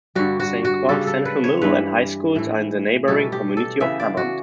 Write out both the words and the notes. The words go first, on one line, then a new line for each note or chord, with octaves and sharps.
Saint Croix Central Middle and High Schools are in the neighboring community of Hammond.
G2 D3 G3 F#4
F#4
F#4
C#3 G3 D4 A4
A4
B4
C#5
G2 E3 G3 B4
A2 E3 A3
B2 G3 C#4 E4 A4
G4
A4
C#3 E3 B3 E5
D5
F#4